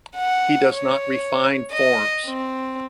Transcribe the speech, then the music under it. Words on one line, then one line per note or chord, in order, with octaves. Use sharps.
He does not refine forms.
F#5
C#5
D#5
C4